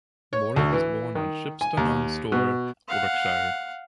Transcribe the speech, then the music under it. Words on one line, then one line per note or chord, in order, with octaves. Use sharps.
Morant was born in Shipston-on-Stour, Warwickshire.
C#5
D2
E3
D#3
G#5
D#2
B2
F5 F#5